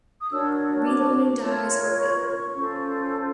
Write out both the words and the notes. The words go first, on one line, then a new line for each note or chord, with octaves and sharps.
Reloading dies are available.
D#6
D4 F#4 A#4 C#5 E6
D6
F4 A#4 C#5
C#6
C#4 F4 A4 C5